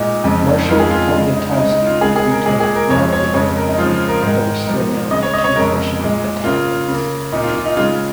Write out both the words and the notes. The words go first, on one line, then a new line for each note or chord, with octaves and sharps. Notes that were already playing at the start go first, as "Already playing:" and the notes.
Marshal Poniatowski retook Markkleeberg, but was thrown out by two Prussian battalions.
Already playing: A#2 G#3 D#4
F2 C#3 F3 G#3
F2 C#3 G#3 F4
G#4
F4
C#3 G#3
D#4
C#3 G#3 D#4
D#4
F4
C#3 G#3 G#4
G#4
A#4
A#2 G#3 G#4
G#4
A#4
F2 F3 G#3 C#5
C#5
F2 C#3 G#3 C#5
A#4
D#4
C#3 F3 G#3 F4
F4
A#4
G#2 D#3 G#3 A#4
G#2 F3 A#3
C#3 G#3 D#5
C#5
D#5
C#5
F2 C#3 G#3 A#4
A#2 G#3
C#3 A#3 F4
C#3 A#3
A#2 A#3 D#4
F4
F4
D#4
C#3 G#3 F4